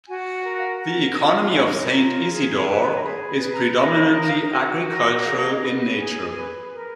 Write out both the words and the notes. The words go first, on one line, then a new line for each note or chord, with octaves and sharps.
The economy of Saint Isidore is predominantly agricultural in nature.
F#4 G#5
F#5
A#4
F5
A#4 F#5
F4
A#4 G#5
F4 A#5
G#4
B4
A#5
G#4 B5
B5
B4
A#5
A#4 G#5
D#5
F5
D#4
F5
F#4
A#4
G#4 F5
F#5
F5
D#5
B4
F#5
G#4 G#5
B4
A#4